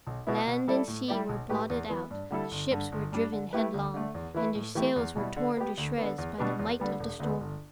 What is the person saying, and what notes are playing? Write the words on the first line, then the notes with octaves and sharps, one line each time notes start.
Land and sea were blotted out, the ships were driven headlong, and their sails were torn to shreds by the might of the storm.
B1
B2 B3 E4
B2
G3 E4 A4 D5
A2
G3 E4 G4 D5
B1
A2 A3 G4 B4
E2
E3 B3
G2
D3 G3 E4 A4
G1
G2 D3
G1
G2 G3 D4
D3
A3 E4 G4 B4
D2
D3 A3
E2
E3 A3 E4 B4
A2
E3 A3 G4
E2
B2 G3 E4
D3
B3 G4
D2
D3 B3
E2
B2 G3 D4 B4
E2
D3 G3 B3
E1
D2 D3 B3
G1